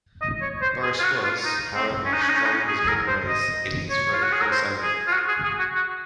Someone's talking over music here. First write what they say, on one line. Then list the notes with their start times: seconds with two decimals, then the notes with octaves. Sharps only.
Boris was, however, strong as always in his road course element.
0.22 D#5
0.42 C#5
0.62 C5
0.83 G#4
0.99 F4
1.04 F#4
1.24 F4
1.45 D#4
1.75 C4
2.05 C#4
2.13 D#4
2.22 C#4
2.29 D#4
2.36 C#4
2.45 D#4
2.52 C#4
2.68 G#4
2.79 G#4
2.88 A#4
3.08 C5
3.28 D#5
3.90 C#5
4.13 F4
4.23 F#4
4.32 G#4
4.41 A#4
4.51 C5
4.83 G#4
5.07 F4
5.12 F#4
5.28 G#4
5.44 G#4
5.59 F#4
5.75 F#4